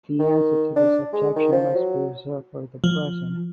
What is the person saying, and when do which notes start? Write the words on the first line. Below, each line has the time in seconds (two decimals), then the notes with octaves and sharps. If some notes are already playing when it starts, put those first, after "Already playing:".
The answer to this objection must be reserved for the present.
0.19 D#3
0.76 D4
1.13 G#3
1.36 D#3
1.52 F3
1.75 F#3
2.84 F3